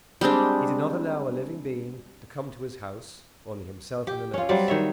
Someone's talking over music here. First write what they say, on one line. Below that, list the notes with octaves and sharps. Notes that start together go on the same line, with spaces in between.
He did not allow a living being to come to his house, only himself and the nurse.
G3 G#3 C4 D4
G4
C#4 F4
F#3 G3 C4 D5
D#3 C#5 E5